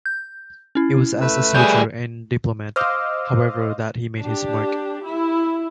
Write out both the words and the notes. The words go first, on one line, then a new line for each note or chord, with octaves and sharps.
It was as a soldier and diplomat, however, that he made his mark.
G6
C#4 E4
A3 B4 E6
G3 G#4 G6
C5 D#5 F5 D6 E6 F6
D4 G4
E4